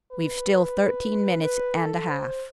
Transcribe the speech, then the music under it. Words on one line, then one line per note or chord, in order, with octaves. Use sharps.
"We've still thirteen minutes and a half."
B4
B4
A4
C5